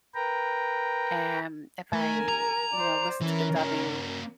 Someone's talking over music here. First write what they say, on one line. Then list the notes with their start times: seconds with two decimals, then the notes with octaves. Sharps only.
am, if I, you know, listen to the dubbing,
0.15 A#4 B4 G5 A#5
1.93 A3 A#4 G#5
2.28 A#5
2.73 C5 D5
3.21 E3 C#4 A#4
3.56 A#3 F#4